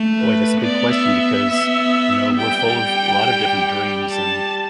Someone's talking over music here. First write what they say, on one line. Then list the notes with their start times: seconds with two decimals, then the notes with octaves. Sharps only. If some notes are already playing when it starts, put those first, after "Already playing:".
Boy, that's a big question because, you know, we're full of a lot of different dreams and,
Already playing: A3
0.19 B4
0.62 B3 D5
0.91 E5
1.21 E5
1.50 B3
2.37 G3 G5
4.12 A5